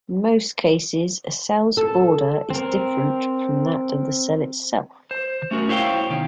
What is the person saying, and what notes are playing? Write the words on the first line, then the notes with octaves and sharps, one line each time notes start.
In most cases, a cell's border is different from that of the cell itself.
A4
C4 A#4
C5
A3 C#4 F#4 A#4
E4 C5 C#5 F5 G5
B2 D#3 C#4